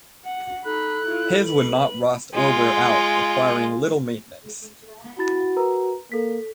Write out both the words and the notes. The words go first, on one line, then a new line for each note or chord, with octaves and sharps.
His would not rust or wear out, requiring little maintenance.
F#5
D#4 A4 B5 F#6
E4 F4
B4 F#7
G#3 F4
E4 F#4 B5 A6
A#4 B4 A#5
A#3 A4 B6